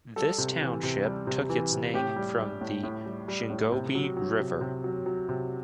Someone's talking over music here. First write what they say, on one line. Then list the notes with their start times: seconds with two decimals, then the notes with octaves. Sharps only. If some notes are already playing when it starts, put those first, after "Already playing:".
This township took its name from the Shingobee River.
0.16 G3 A4
0.38 C3
0.61 E3
0.83 C3
1.05 G3
1.27 C3
1.50 E3
1.72 C3
1.94 A2 G4
2.16 G3
2.38 G3
2.61 A2
2.83 A2
3.06 G3
3.28 G3
3.50 A2
3.72 C3
3.95 F#3
4.17 F#3
4.39 C3
4.61 C3
4.84 F#3
5.06 F#3
5.29 C3